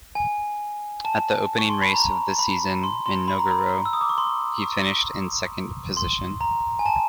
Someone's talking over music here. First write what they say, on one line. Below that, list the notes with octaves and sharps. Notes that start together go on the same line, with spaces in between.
At the opening race of the season, in Nogaro, he finished in second position.
G#5
A5
C#6
C6
B5
A#5
B5
C6
C6
B5
A#5
B5
E6
D#6
D6
C#6
C6
C#6
C6
A#5
G#5
A5